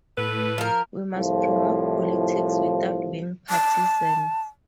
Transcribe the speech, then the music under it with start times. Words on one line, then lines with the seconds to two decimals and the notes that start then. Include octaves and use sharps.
We must promote politics without being partisans.
0.18 A2 A4 B4
0.58 F3 A#4
1.15 C2 A2 F3
3.50 A5